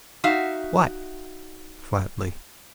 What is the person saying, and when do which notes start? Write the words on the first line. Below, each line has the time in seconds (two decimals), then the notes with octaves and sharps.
"What?" flatly.
0.24 D#4 F#4 E5 F5